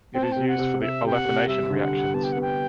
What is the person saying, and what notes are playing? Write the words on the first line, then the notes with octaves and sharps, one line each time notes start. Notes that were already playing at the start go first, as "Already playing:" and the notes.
It is used for the "olefination" reactions.
C4 G5
A5
C3 G5
F#5
C3
C3 E5
C3 G5
F#5
C3
G3 E5
D3
F#5
G3
B3 A5
G5
F#5
B3 G5